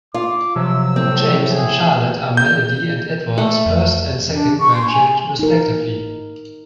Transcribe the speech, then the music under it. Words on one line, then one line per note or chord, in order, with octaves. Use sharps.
James and Charlotte are Melody and Edward's first and second grandchild, respectively.
F4 D6
C3 F3 F#3 E6
A2 C4
G#4
G6
A3
F2
D4
C#6
C6
G#5
D#4 A#4